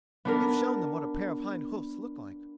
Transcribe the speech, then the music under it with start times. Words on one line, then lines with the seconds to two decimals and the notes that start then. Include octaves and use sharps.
"You've shown them what a pair of hind hoofs look like."
0.25 B3 D4 A#4